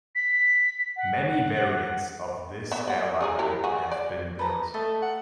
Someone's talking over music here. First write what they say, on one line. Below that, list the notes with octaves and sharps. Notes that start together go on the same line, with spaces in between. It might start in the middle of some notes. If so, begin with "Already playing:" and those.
Many variants of this airliner have been built.
B6
F#5
B3 E5
D5 F#5
C#3 D#4 G#4
E4 G4 A#4
E3 F#4 G#4
D5
B4 A5 A#5
A3 D#5 A5
F#5